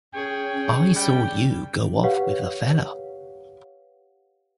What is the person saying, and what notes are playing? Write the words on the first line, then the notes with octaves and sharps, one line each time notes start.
I saw you go off with a fellah.
C#4 G#4 C#5 G5
G3 G5
G4 B4 C#5 F5 F#5